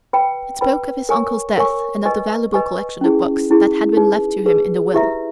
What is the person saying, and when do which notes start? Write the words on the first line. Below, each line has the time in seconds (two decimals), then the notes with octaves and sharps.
It spoke of his uncle's death and of the valuable collection of books that had been left to him in the will.
0.13 B4 G5 B5
0.61 B4 G5 B5
1.09 A#4 C#5 G#5 C#6
1.58 A#4 C#5 G#5 C#6
2.05 B4 D#5 G#5 C#6
2.53 B4 D#5 G#5 C#6
3.01 C#4 E4 G#4
3.50 C#4 E4 G#4
3.97 D#4 G#4 B4
4.45 D#4 G#4 B4
4.94 E4 G4 B4 E5 A#5